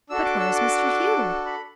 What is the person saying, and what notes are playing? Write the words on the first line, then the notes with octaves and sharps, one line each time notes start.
"But where is Mr. Hugh?"
D4 F#4 A4 E6
D6
E6
D6
B5